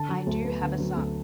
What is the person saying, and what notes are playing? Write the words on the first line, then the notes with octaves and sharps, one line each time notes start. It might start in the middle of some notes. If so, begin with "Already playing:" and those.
I do have a son.
Already playing: D3 A5
F#3
D2
B3
D3
F#3
D2